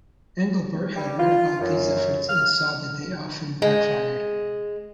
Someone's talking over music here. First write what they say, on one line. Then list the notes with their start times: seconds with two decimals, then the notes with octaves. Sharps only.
Engelbart had read about these efforts and saw that they often backfired.
0.96 G3
1.18 F4
1.60 F#2
2.29 F6
3.62 G#3